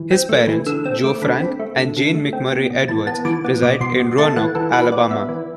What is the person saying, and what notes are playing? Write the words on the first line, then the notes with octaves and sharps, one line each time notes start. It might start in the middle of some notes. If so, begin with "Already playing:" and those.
His parents, Joe Frank and Jane McMurray Edwards, reside in Roanoke, Alabama.
Already playing: E3
C4
A3
E3
D3 E6
C4 E6
A3 D6
D3 B5
C4
A3
D3
D3
A3
C4
B2
B2
E3 A5
B3 A5
E3 D6
B3
B2 D6
B2 C6
B2
A3 A5
E3 F#5
E3 A4
E3 B4
B3 D5
B3 E5
E3